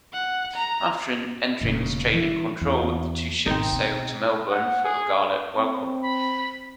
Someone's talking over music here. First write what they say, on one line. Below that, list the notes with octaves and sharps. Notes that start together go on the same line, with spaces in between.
After entering Australian control, the two ships sailed to Melbourne for a gala welcome.
F#5
A#5
E1 A#2 C#3
E3
E2
G#1 B2 C4 D#4
B2
F#5
G#4
C4
B5